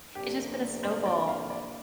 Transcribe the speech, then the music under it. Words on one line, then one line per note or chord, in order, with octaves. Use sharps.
it's just been a snowball.
F2 C3 A#3 D4 G4
C5
D5
F5
D5